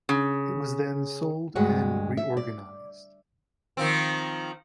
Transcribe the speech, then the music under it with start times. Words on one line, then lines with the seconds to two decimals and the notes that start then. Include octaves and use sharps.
It was then sold and re-organized.
0.09 C#3
1.55 D2 G2 G#3 F#4 F#5
2.17 E5
2.37 D5
3.77 D#3 F3 C4